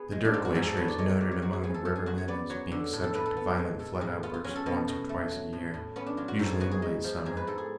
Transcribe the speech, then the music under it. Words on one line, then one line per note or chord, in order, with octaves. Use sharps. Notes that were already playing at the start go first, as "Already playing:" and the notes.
The Dirt Glacier is noted among the river men as being subject to violent flood outbursts once or twice a year, usually in the late summer.
Already playing: B3 G#4 B4
G#3
D4
G#2 F4
F#4
G#2 G#4
A4
B3 C#5
D5
G#3 C#5
C#5
G#2 D5
C#5
G#2 F#4
G#4
B3 G#4
A4
F3 A4
G#4
F#2 F#4
C#5
B3 D5
F#3 C#5
D3
A2
A4
A2 B4
A4
B3
G#3
A2 A4
A2 G#4
B3 F4
F4
F#3 C#4
A4
B2 B3
B2
A3
F#3
A2
A2
B3 C#4
D4
F#3 F4
F#4
G#2 A4
G#4
B3 F#4
G#4
G#3
F3
G#2 G#4
B4
G#2 A4
G#4